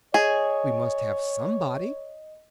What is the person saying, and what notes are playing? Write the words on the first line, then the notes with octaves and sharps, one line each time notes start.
"We must have somebody!"
G#4 C#5 D#5